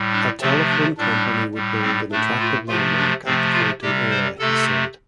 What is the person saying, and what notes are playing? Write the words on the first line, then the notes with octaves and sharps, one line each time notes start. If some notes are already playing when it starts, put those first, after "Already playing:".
A telephone company would build "an attractive landmark" at the fountain area, he said.
Already playing: A2 G3
D4
C3 F3 A3 C4
D4
A2 G3 D4
A2 G3
C4
A2 A3 D4
F4
C3 F3 A3 F4
D4
C3 F3 A3 C4
F4
C3 G3 G4
C5
C3 A3 A4